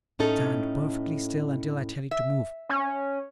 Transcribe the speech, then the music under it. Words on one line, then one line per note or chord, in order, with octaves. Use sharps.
"Stand perfectly still until I tell you to move."
A2 C#4 D#4 A4
E5
C#4